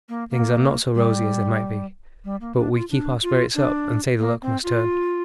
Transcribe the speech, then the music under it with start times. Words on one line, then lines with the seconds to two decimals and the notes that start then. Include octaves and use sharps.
Things are not so rosy as they might be, but we keep our spirits up and say the luck must turn.
0.09 A#3
0.30 A#3
0.95 G3
2.25 G3
2.41 A#3
2.57 D4
2.73 F4
2.91 D4
3.23 F4
3.54 D4
4.19 A#3
4.42 C4
4.64 F4